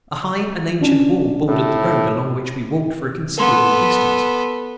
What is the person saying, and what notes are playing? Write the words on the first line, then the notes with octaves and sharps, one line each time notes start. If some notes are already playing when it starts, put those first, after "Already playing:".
A high and ancient wall bordered the road along which we walked for a considerable distance.
C#4 D4
A2
B3 A4 A#4 C6